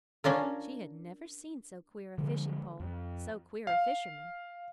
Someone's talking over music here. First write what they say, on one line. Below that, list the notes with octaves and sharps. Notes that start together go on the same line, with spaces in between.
She had never seen so queer a fishing-pole--so queer a fisherman.
C#4 D4 F4 A#4
D3 F3 G#3
F2
F5